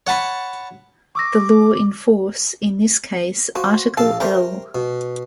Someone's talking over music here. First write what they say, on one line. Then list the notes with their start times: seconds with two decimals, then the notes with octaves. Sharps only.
The law in force, in this case Article L.
0.07 C#5 F#5 A5 B5
1.15 C#6 D6 E6 A#6
3.55 F3 F#4
3.97 A#1 A4 F5 A5
4.20 G3 A3 A#4 C5 G5
4.75 B2